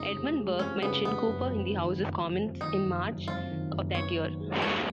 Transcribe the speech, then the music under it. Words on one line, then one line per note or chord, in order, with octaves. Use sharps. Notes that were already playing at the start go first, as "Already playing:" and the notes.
Edmund Burke mentioned Cooper in the House of Commons in March of that year.
Already playing: F1 F2 C#3 G#3 D#4
F1
G#3
F2 C#4
C#3 B3
F1 B3
F#1
F2
D#3
F#1
F#1
F2
D#3 D#4
F#1
F#1
F2 F4
D#3
F#1
B3 C#5
D#3
G#3
D#2 C#5